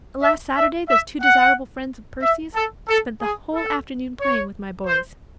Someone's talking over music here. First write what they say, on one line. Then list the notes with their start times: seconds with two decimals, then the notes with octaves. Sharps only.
Last Saturday those two desirable friends of Percy's spent the whole afternoon playing with my boys.
0.22 E5
0.55 E5
0.88 E5
1.21 F#5
2.21 E5
2.54 A4
2.88 A4
3.21 G#4
3.54 A4
4.20 C#5
4.87 C5